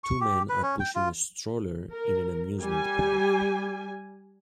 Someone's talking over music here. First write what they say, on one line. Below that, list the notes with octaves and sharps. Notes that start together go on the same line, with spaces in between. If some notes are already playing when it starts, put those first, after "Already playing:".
Two men are pushing a stroller in an amusement park.
C#6
G4
B4
C#4
G5
F4
A#4
G3 G#5